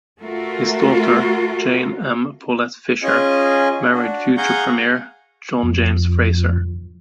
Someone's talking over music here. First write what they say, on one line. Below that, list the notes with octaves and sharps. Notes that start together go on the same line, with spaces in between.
His daughter, Jane M. Paulette Fisher, married future premier John James Fraser.
A3 F4 F#4 A#4
C#4 F4 G#4 D#5
D4 F#4
G#4 F5 F#5 A#5 C#6 G6
F2